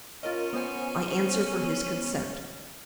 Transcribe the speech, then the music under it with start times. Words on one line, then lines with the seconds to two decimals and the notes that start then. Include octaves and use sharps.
"I answer for his consent."
0.23 C#4 F4 A#4 D#5
0.53 B3 C5 G#5